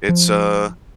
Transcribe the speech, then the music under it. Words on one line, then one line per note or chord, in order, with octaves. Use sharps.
it's a
F3